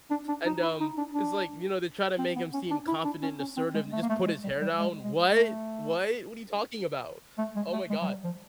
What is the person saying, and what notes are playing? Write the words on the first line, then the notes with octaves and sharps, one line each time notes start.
and um, it's like, you know, they try to make him seem confident and assertive, and just put his hair down. What? What? What are you talking about? Oh my God
D4
D4
D#4
E4
D#4
D4
D4
C4
B3
C#4
D4
E4
D4
C#4
C#4
C4
G#3
A3
A#3
A3
G#3
G3
G3
G#3
G#3
A3
A3
G#3
A3
G#3
F#3
G3
F3